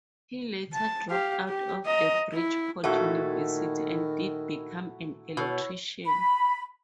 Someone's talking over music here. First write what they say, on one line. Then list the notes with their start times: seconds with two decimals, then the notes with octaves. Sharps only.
He later dropped out of Bridgeport University and did become an electrician.
0.73 A5
1.10 G4 F5
1.49 G4
1.86 D#5 A#5
2.32 E4
2.84 A#2 D#3 A3 E4 F#4 F#5
5.37 B2 E4 C#5
6.05 B5